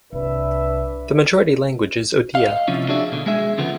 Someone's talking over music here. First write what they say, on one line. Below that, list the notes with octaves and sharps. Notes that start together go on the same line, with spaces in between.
The majority language is Odia.
C2 D4 B4 E5
D#5 F5
C3 F3 C#4 E4
D4 F#4 G#4 D5 E5
B2 D3
G#3 G#4 E5
D2 C#3 F3 A3 B3